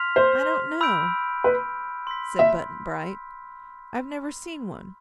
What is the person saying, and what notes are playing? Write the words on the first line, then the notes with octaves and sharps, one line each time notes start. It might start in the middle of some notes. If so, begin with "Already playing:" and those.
"I don't know," said Button-Bright; "I've never seen one."
Already playing: C6 F6 B6 F7
C5
B5 E6 G6 D7
B4
C6 E6 B6
E5